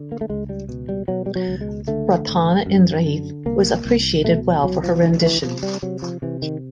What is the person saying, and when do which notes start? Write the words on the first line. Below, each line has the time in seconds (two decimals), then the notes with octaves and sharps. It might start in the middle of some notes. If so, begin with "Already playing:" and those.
Prarthana Indrajith was appreciated well for her rendition.
Already playing: D3
0.12 A#3
0.21 A3
0.30 C#2 G#3
0.49 G3
0.69 B2
0.89 G3
1.08 B2 F#3
1.26 G3
1.36 F#3
1.48 C#2
1.61 G#3
1.88 D3 A3
2.27 G#1
2.66 F#2
3.06 D3
3.46 C2 A#3
3.85 C2
4.25 B2 A3
4.64 C2 F#3
4.83 F3
5.03 D2 E3
5.23 E3
5.43 C3 F3
5.63 G3
5.82 C3 F#3
6.02 F3
6.22 C3 E3
6.42 D#3